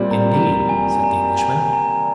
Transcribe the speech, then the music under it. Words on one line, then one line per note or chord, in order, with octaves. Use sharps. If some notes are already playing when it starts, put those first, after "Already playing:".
"Indeed!" said the Englishman.
Already playing: A#2 G3 C4
A#5
A#5
G#5
A#5
G#5
A#5